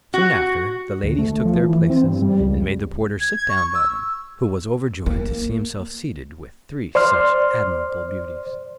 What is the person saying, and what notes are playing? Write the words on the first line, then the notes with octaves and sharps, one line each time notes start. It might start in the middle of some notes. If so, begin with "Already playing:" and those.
Soon after, the ladies took their places, and made the porter sit down by them, who was overjoyed to see himself seated with three such admirable beauties.
F#4
D2
A3
F3
E3
C4
G2
G3
C#2
G#6
G#6
C#6
E6
A#3
C5 D5 C6 F6